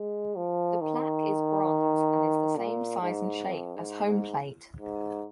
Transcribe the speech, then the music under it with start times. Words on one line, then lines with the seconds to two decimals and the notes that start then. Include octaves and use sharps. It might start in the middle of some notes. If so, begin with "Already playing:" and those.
The plaque is bronze and is the same size and shape as home plate.
Already playing: G#3
0.37 F3
0.81 D#3
2.57 A#2
3.02 G#2
3.45 F2
3.76 G#2
4.05 G#2
4.79 G#2